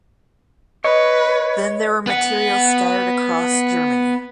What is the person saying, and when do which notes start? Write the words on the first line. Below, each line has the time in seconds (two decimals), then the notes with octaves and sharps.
Then there were materials scattered across Germany.
0.84 B4 C#5 D#5
2.07 B3 F#5